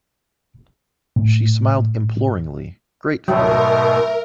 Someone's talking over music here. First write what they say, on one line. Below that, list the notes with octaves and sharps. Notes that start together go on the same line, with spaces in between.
She smiled imploringly, gratefully.
A2
G#2 B2 F#3 A3 A#4 E5